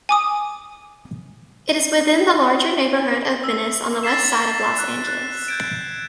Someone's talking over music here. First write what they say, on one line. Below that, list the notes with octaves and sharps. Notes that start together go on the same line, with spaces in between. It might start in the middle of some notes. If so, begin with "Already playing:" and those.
It is within the larger neighborhood of Venice on the westside of Los Angeles.
G#5 D6 D#6
E6
E6 A6 B6 C7 E7
F#6
F#6
G6 G#6 D7